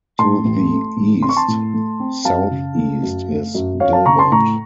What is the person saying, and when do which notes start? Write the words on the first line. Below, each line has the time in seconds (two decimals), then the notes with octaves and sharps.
To the east-southeast is Gilbert.
0.19 A2 A5 C6
0.45 A1
0.70 A3
0.96 A1
1.22 C4 C6
1.29 C#6
1.37 A5 C6
1.48 A2
1.74 A3
2.00 C4
2.25 F#2 F5 A5
2.51 C#3
2.77 A3
3.03 F#2
3.29 A3
3.55 F#2
3.80 F#2 C#5 F5
3.93 F5 A5
4.06 C#3 A#5 C#6
4.19 A5 C6
4.32 A2 A#5 C#6